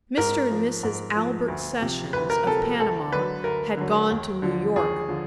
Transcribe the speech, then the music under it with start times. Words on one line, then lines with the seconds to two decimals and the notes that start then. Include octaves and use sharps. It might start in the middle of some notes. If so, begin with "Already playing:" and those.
Mr. and Mrs. Albert Sessions, of Panama, had gone to New York.
0.17 G#2 A#4
0.51 F3
0.83 G#2
1.15 F3
1.48 D2
1.81 C3 F3
2.13 D2 B4
2.30 A#4
2.46 C3 F3 A4
2.63 A#4
2.80 D2 A4
3.12 D3 F#3 B4
3.44 D2 A#4
3.77 D3 F#3
4.11 D#2
4.42 D3 F3
4.76 D#2 G#4
5.08 D3 F3